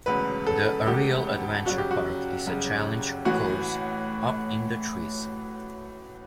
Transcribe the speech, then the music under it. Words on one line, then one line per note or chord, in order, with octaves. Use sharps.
The Aerial Adventure Park is a challenge course up in the trees.
E1 D2 C#3 B4
A4
E1 D2 C#3 G4
G1 F#2 C#3 F#4
G4
F#4
G1 F#2 C#3
A1 A2 E3 F#4